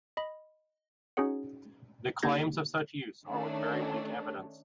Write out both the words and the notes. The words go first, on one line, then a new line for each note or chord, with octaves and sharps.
The claims of such use are with very weak evidence.
D#5 B5
C#4 D#4 F#4 G#4 C#5 F#5
A#3 D#4 G4 G6 G#6 A#6
D#3 A3 C#4 D4